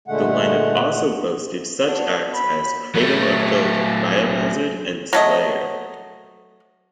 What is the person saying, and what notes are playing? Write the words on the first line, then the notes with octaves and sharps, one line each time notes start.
The line-up also boasted such acts as Cradle of Filth, Biohazard and Slayer.
A#2 D3 G#3 A3 F#5
B3 D4 F#4
B5
F#3 A3
F#3 A3 D#5